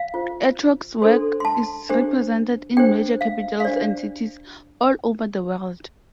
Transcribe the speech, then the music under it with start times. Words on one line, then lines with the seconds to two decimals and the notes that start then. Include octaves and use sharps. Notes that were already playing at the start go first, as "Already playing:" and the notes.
Etrog's work is represented in major capitals and cities all over the world.
Already playing: F5
0.14 F4 C5
1.02 D4 A4 C5 C6
1.40 C6
1.45 A5
1.89 D4 G4 C5
2.77 D4 G4 C5 G5
3.21 F5
3.60 F5
3.64 D4 G4 C5 D5